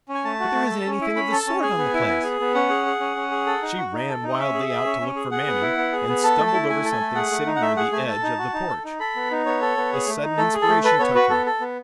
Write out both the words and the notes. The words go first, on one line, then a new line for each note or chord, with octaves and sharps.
"But there isn't anything of the sort on the place." She ran wildly out to look for Mammy; and stumbled over something sitting near the edge of the porch. A sudden inspiration took her.
C#4
G#5
A3 A5
F#4
A3
A4
C#4
E4
C#4 B5
A4
A5
C#4
G#4 G#5
B3
E4
B3
G#4
B3
C#4 F#5
G#4
G#4
C#4
C#4
G#4
A4
D#4
F#4
D#4
A4
D#4 D#5
C#4 E5
G#4
G#4
C#4
C#4
G#4
G#4 F#5
B3
E4
B3
G#4
B3
A4 A5
A3
A5
E4
A3 G#5
A4
G#5
A3
G#4 F#5
A3
D#4
F#5
A3 E5
G#4 F#5
A3 G#5
A4 A5
D#4
F#4
D#4
A4
D#4
A4 B5
B3
D#4
B3 C#5
A4
B3
G#4
A3
D#4
A3 A4
G#4
A4
A3
A4 B4
B3 C#5
F#4 B4
B3 A4
A4
B3